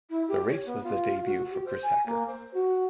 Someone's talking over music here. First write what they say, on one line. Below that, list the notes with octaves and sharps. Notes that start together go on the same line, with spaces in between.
The race was the debut for Chris Hacker.
E4
G4
C#5
B3
F4
F#4
G4
C5
G#5
A#3
C5
F#4